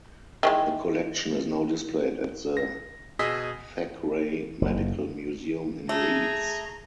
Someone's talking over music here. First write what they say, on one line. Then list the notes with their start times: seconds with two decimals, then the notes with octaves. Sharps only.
The collection is now displayed at the Thackray Medical Museum in Leeds.
0.43 D#3 E3 G#3
2.57 A#6
3.19 B2 G#4 D#5 D#6 E6 B6
4.62 F#1
5.89 A3 G#4 A#5